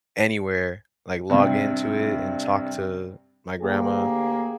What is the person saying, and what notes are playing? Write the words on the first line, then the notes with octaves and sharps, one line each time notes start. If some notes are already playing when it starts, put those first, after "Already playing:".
anywhere, like, log into it and talk to my grandma
G2 C3
D2 A#3 G4 G#4